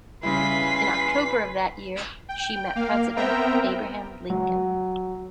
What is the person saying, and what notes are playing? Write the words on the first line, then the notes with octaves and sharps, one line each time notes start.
In October of that year, she met President Abraham Lincoln.
C#3 G3 E4 B4 G#5 C6 B6
G5
A#3 F5
B3 C4 A#4 E5 G5 A#5
F#3